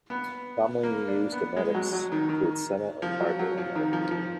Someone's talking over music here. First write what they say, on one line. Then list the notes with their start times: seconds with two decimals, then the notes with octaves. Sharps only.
Commonly used emetics include senna and tartar emetic.
0.10 B3
0.83 A#3
1.08 D4
1.32 B3
1.56 G#3
1.75 F#3
1.93 F#3
2.12 D#3
2.29 D#3
3.02 F3
3.20 F#3
3.39 F#3
3.58 F3
3.75 D#3
3.93 F3
4.11 F3